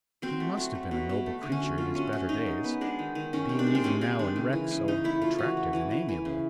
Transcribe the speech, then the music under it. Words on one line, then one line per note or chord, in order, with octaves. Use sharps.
He must have been a noble creature in his better days, being even now in wreck so attractive and amiable.
F#3 C4
A3
F#3
A3
B2
B2
A3
D3
C#4
F#3
A3 F4
F#3 C#4
F#3 C#4
D#3 D#4
G#3
B3
G#3 D4
D#3
D#3
D#3 C#4
C3
D4
G#3
C4
C3 C#4
G#3 C4
D#3 D4
C#3
E3
C#3
C#3 D#4
A3 E4
A3 F4
E3 F#4
A3
E3
E3
E3
C#3